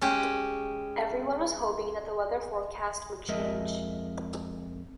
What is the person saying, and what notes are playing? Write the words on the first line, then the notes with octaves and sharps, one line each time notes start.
Everyone was hoping that the weather forecast would change.
G#3 C#4 G4
F2 G#3 A#4 D#5 E5